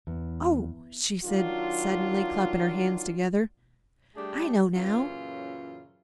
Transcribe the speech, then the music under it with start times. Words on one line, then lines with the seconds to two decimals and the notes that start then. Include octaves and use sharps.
"Oh!" she said suddenly, clapping her hands together; "I know now."
0.07 E2
1.24 D#3 F#3 D4 F4
4.16 G3 A3 D4 G4 G#4
4.75 F#2 A#2 C#3 E3 C#4 F4